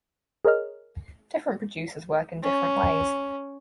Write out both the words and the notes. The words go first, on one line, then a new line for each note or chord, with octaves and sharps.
Different producers work in different ways.
G#4 A#4 C#5 D#5 F6
C#4